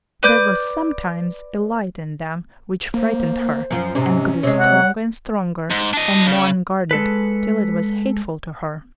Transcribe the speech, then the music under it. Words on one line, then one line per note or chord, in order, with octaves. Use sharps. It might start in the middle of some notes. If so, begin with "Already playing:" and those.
There was sometimes a light in them which frightened her and grew stronger and stronger and more unguarded till it was hateful to her.
B4 D5 G6
A#3 C5
F#2 F3
G#2 C3 C#4
C3 G#3 C#5
F#5
G#2
D4 D#5
C#3
G#3 A4 B4